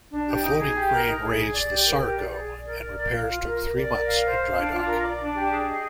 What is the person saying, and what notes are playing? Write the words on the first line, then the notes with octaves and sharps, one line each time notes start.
A floating crane raised the "Sargo", and repairs took three months in drydock.
D4
G4
D#4
G#4
G4
A#4
D#4
G#4
G#4
D5
G4
A#4
G4
D5
G#4
D5
A#4
D5
A#4
F5
F4
A#4
A#4
D5
A#4
F5
C5
F5
D4
F4
A#4
D5
D4
G4
G#4
D#5